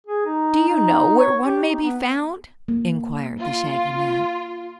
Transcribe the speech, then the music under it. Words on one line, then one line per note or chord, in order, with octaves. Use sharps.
"Do you know where one may be found?" inquired the Shaggy Man.
G#4
D#4
D#4
C#5
G4
D#4
B3
A#3
F4